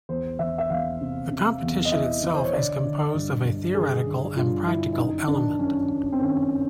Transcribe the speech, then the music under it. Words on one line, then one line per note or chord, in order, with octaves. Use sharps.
The competition itself is composed of a theoretical and practical element.
E2 C5
E2 E5
E5
E2 F5
C3
C3
E2
D#5
E3 E5
E3
C5
C#5
D3 D5
D3
G2
G2
D3 G#4
D3
G2 F4
D3 E4
E4
F#2 D#4
D#3 D4
F#2 C#4
F#2
C4
D#3 C#4